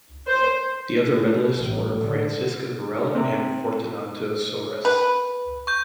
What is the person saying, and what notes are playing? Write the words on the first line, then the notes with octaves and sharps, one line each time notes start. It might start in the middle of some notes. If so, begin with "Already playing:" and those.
The other medallists were Francisca Varela and Fortunato Soares.
C5
A1
D3
C3
B4
C#6 G6